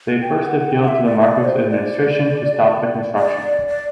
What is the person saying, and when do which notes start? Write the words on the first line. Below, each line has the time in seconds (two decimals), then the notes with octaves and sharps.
They first appealed to the Marcos administration to stop the construction.
0.22 G5
0.47 F#5
0.59 F#5
0.71 G5
0.82 F#5
0.88 E5
1.05 D5
1.20 D5
1.45 C5
1.70 D5
3.18 D5
3.68 D5